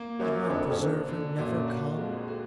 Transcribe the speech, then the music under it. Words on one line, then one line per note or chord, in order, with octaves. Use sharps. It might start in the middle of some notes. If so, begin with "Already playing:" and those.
Did my preserver never come?'
Already playing: A#3
F#2 F#3
F2 D3
F2
D3
D3
F#2 A#2
F#4
F2 G#3
F#4